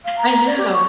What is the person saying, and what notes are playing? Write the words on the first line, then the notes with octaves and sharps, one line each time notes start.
I know,
F5
A#5
D5
G4
C#6